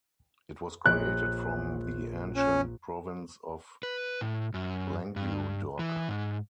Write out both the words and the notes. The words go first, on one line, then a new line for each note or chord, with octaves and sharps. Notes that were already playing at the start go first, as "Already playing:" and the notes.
It was created from the ancient province of Languedoc.
A#1 C#5 F#6 D7
C#4
B4
A2
F#2
G2
E3
G#2